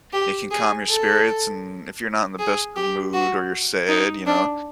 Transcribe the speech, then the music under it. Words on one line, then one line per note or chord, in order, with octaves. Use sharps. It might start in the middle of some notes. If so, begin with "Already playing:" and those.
it can calm your spirits, and if you're not in the best of mood or you're sad, you know,
G4
G#4
A4
G#4
G4
F#4
D#4
D4